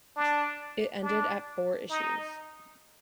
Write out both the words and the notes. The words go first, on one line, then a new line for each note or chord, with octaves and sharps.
It ended at four issues.
D4
D4
D#4